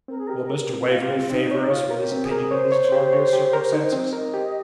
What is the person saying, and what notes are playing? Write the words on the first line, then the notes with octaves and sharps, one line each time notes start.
Will Mr. Waverley favour us with his opinion in these arduous circumstances?'
C4 A#4
G#4
G4 A#4
A#4
C4
G4
C4 F4
C4
C4 D#4
C#5
F4 C#5
A#4
G4
C4
G#4
A#4
C5 C#5
C#5
G4
C#5
G4
A#4
D#4
C4
A#4 D#5
G4